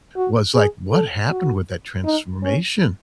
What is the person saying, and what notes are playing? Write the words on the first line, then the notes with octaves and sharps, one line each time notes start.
was like, "What happened with that transformation?"
F#4
G#4
A4
F#4
D#4
C#4